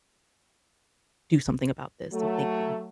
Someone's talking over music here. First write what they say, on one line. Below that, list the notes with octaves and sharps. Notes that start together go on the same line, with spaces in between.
do something about this, so thank you.
F#3 A3